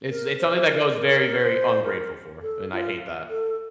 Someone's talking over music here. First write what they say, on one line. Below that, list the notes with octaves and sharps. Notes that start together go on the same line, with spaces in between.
It's it's something that goes very, very ungrateful for, and I hate that.
A#4
C5
A#4
A#4
C5
A#4
A4
F4
A4